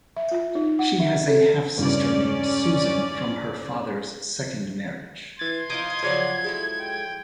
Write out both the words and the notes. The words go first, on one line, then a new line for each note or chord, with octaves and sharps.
She has a half-sister named Susan from her father's second marriage.
E5
F4
D#4
F#5
E5
A4
E2 G2 C#3 C#4 D5
E3 C6 G#6 A6
F3 D#4 F4 D6 D#6 G6 G#6
C#3 F3 F#3 D5 F#5
G#3 E4 A4
G5